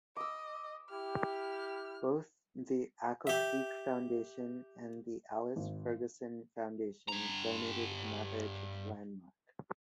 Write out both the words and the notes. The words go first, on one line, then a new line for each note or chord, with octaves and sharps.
Both the Accokeek Foundation and the Alice Ferguson Foundation donated another to the landmark.
D#5 D6 E6
E4 G4 F6
G4 E5
G#1
G2 A#5